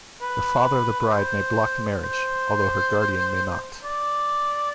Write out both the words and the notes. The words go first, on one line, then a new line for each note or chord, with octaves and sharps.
The father of the bride may block the marriage, although her guardian may not.
B4
B4
C5
C5
D5